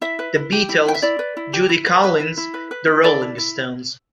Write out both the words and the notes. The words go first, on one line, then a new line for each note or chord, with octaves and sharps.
The Beatles, Judy Collins, The Rolling Stones.
E4 E5
B4
E4
G4
E4
B4 G5
E5
E4 D5
B4
E4
G4
E4
B4
B4
E4
E4
B4
B4
E4
A4 D5
E4
E4